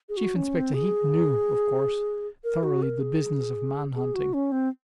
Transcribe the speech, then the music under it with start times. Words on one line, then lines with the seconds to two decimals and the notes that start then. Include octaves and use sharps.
Chief Inspector Heat knew, of course, thoroughly the business of man-hunting.
0.09 G#4
0.17 F#4
0.36 C#4
0.55 C4
0.74 G#4
2.44 A#4
2.63 F#4
2.82 A#4
3.01 G#4
3.95 G#4
4.15 F#4
4.34 C#4
4.52 C4